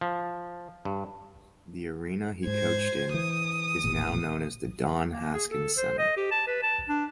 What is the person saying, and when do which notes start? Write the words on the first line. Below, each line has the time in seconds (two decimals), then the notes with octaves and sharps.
The arena he coached in is now known as "The Don Haskins Center".
0.01 F3
0.85 G2
2.47 G#2 C5 G#6
3.14 E3 D#6
3.84 E1 A1 A#2
5.10 A#3
5.34 G#4
5.51 A4
5.77 C5
5.98 D#5
6.17 G4
6.31 A5
6.47 B4
6.63 A5
6.89 D4